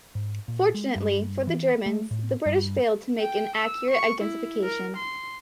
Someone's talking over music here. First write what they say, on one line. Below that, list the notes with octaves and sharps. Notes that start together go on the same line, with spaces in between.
Fortunately for the Germans, the British failed to make an accurate identification.
G#2
A#2
G#3
G2
E3
A3
A2
G2
G5
E6
C#6
E4
A#4
C6